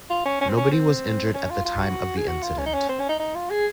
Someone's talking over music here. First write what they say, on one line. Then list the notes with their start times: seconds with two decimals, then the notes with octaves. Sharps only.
Nobody was injured at the time of the incident.
0.10 F4
0.25 C#4
0.41 C#4
0.49 C4
0.57 C#4
0.72 C4
1.34 C#4
1.50 F4
1.65 F4
1.80 F#4
2.17 G#4
2.28 F#4
2.43 F4
2.59 C#4
2.66 D#4
2.74 C#4
2.89 C4
2.99 C#4
3.09 D#4
3.19 D#4
3.35 F4
3.50 G#4